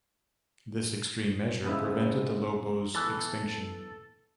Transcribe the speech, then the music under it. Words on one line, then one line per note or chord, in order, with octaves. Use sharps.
This extreme measure prevented the lobos' extinction.
G#2 C#3 B3 E4
E3 B3 A4